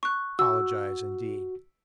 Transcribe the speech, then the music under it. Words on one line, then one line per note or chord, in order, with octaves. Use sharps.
Apologise indeed!
C#6 F#6
F#4 E6